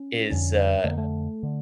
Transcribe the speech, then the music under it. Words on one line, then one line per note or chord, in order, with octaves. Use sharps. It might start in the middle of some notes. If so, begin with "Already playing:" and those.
is, uh
Already playing: C#4
F2 D3 C#4
F2 D3 A3
A#3
A3
D3